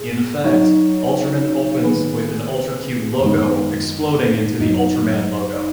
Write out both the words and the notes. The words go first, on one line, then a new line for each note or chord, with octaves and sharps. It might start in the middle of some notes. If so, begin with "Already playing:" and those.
In fact, "Ultraman" opens with the "Ultra Q" logo exploding into the "Ultraman" logo.
Already playing: G#2 G#4
F#3 D#4 F#4 C#5
D#3 B3 G#4 B4
F#2 D#3 G#3 B3 D#4
F#2 F#3 D#4